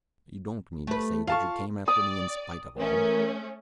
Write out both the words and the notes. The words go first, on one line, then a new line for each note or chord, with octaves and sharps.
"You don't mean to say that you came after me in spite of all?"
A3 B4
F4 F5 A5 C#6
D5 D#6
E3 A3 C#4 A#4